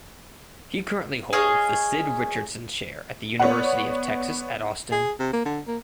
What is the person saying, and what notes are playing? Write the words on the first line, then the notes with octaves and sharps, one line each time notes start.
He currently holds the Sid Richardson Chair at the University of Texas at Austin.
G#4 C#5 D#5 F5
B3 C#5 D5 F#5
G#4
C3
A#3
D3
A#3